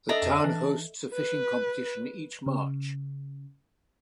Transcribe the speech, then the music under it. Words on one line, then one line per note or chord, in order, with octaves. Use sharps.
The town hosts a fishing competition each March.
D4 A4 D#5 E5 A#5
F2
E3
B4
C#3